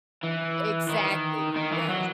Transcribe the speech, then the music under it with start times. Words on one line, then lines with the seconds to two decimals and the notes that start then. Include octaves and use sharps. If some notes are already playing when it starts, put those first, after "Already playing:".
Exactly, yes.
0.23 E3
0.89 D#3
1.56 D#3
1.72 E3
1.89 F#3